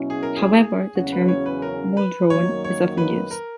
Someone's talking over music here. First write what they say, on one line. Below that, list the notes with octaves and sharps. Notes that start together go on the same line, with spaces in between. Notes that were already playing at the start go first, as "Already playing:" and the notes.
However, the term Muldrowan is often used.
Already playing: B2 F#3 C#4 E4
G#4
A#4
G#4
E2 C#3 F#3 C#4 F#4
B4
C#5
B4
A#4
B4
F#2 D#3 F#3 A#3 C#5
C#5
B4
A#4